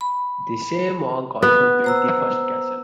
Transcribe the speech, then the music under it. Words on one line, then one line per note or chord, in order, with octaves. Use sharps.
The same monk also built the first castle.
B5
B3
C5 A#5 E6